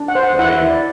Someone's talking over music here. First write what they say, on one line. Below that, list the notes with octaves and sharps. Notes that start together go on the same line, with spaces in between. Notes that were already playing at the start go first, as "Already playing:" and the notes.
I mean,
Already playing: D4
F#5
C5
F#5
E4 F#5
E5
E4
D5